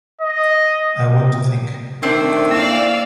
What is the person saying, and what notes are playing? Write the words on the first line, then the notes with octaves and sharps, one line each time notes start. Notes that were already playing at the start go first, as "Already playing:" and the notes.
I want to think.
D#5
D#3 A3 C4 D4 C5
A#3 E4 D5 F5 E6